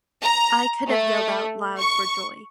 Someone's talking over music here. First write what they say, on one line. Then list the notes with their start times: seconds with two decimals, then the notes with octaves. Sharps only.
"I could have yelled out loud for joy".
0.22 A#5
0.87 A3
1.78 C#6